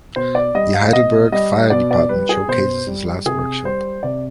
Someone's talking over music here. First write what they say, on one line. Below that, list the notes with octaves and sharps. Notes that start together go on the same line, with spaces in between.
The Heidelberg Fire Department showcases his last workshop.
B2 C5
D5
G3 D#5
F5
B2 D#5
G3 D#5
B2 D5
D5
G3 B4
G#4
B2 C5
G3
C3 G#4
G3 C5
C3 D5